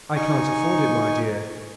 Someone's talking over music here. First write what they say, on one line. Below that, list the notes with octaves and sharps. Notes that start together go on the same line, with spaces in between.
"I can't afford it, my dear."
D#4 G#5 C#6